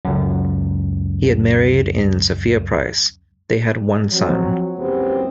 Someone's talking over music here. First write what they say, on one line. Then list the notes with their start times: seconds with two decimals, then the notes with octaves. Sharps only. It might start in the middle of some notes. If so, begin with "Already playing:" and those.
He had married in Sophia Price; they had one son.
0.05 C#2 F#2
4.11 F3 F#3 C4
4.76 F#1 C#2 F#2 B3 C4 G4